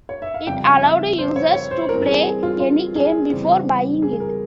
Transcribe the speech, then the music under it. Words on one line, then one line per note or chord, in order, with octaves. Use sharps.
It allowed users to play any game before buying it.
C#5
E5
F5
F2 C#3 G3 G5
F5
E5
C5
C#5
C#5
C5
G2 E3 G3 C4 A#4
G#4
F4
F4
G#4
E2 C#3 E3 G3 C4
G#4
A#4